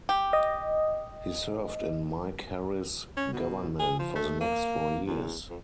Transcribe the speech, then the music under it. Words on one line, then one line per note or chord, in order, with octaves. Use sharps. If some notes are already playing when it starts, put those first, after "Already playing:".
He served in Mike Harris's government for the next four years.
G4
D#5
C#4
B2
G#4
F3
A3
A#3
E2
F2